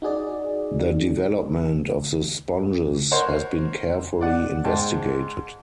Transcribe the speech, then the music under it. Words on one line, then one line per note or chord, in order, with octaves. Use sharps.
The development of the sponges has been carefully investigated.
D#4 F#4 G#4 D5
A#4 C5 C#5 F#5
D5 F#5
G#2 G#3 G5 A5